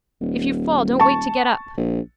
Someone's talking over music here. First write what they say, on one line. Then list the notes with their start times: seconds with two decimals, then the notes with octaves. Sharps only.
If you fall don't wait to get up.
0.21 D#1
1.00 A5 C#6
1.77 A#1